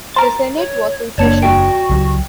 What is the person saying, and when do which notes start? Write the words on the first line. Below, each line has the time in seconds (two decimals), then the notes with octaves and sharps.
The Senate was in session.
0.14 A#4 C5 A6
0.57 C#5
1.18 F#1 A#3 D4 C#5 D5 A5 C#7
1.42 E2 F#4 G5
1.89 C#2 F#3